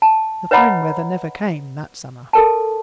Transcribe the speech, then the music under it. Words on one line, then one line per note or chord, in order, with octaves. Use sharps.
The fine weather never came that summer.
A5
B4 C#5 D#5 F#5 A#5 B5
A4 A#4 A5